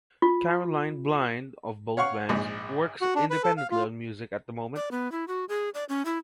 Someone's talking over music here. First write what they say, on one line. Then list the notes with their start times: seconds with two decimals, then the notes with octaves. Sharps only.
Caroline Blind of both bands, works independently on music at the moment.
0.22 F4
1.97 C#5 F5 F#5 C#6
2.29 A#1 G#2
3.01 F#4
3.15 D4
3.30 B4
3.43 A4
3.57 F5
3.71 F4
4.76 D5
4.91 B3
5.12 E4
5.28 F#4
5.49 G#4
5.74 D5
5.89 C#4
6.05 E4